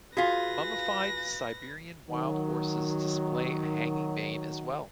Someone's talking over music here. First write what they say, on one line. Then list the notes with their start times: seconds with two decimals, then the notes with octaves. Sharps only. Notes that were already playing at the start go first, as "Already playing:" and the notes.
Mummified Siberian wild horses display a hanging mane as well.
0.17 F4 F#4 G#4 B4 F5 A#6 B6
2.09 D#3 F#3